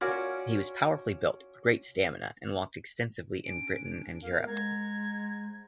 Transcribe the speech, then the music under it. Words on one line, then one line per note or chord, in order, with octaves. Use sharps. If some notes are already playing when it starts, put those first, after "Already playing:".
He was powerfully built, with great stamina, and walked extensively in Britain and Europe.
C#4 F4 F#4 A#4 C#5 D5
C#4 D4 D7
A#3 B3 A#4 F5
G#3 C5 F#5 A#5 G#6